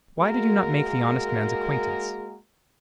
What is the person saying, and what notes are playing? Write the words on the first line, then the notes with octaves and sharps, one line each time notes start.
Why did you not make the honest man's acquaintance?
G#3 A#3 F#4 G#4 A#4